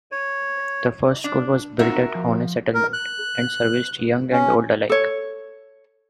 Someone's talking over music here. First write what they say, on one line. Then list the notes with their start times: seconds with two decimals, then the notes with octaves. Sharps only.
The first school was built at Horne Settlement, and serviced young and old alike.
0.12 C#5
1.24 D4
1.79 C4 D#4 F4 F#4 A#4 E5
2.15 F3
2.75 A#4
2.93 F#6
4.32 C#4
4.89 A4 C#5